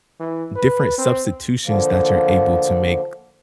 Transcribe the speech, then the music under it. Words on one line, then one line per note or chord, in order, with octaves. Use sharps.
different substitutions that you're able to make
E3
B4
C4
D3 F3 A#3